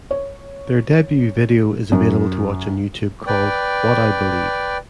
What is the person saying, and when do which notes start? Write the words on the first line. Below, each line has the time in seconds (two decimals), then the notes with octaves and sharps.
Their debut video is available to watch on YouTube called "What I believe".
0.11 C#5
1.92 F#2
3.27 B4 D5 G5